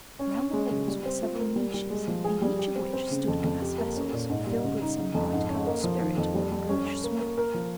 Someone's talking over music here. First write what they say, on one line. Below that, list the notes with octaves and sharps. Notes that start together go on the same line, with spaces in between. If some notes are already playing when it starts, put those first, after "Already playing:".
Round the walls were several niches, in each of which stood glass vessels filled with some bright-coloured spirit or bluish smoke.
C#4
C#4
G#3
C#3
G3
C4
F4
A#4
G3
G3
G#3
F3
G#4
G3
G4
C4
C4
C#3
F2
F2
G4
A#3
C#4
A#2
G#2
G3
C#3
D#4
C#3
F2
G#2
C#4
A#3
F3
D#3
F2
G3
G3
C#4
C#4
A#3
A#3
A#4
F3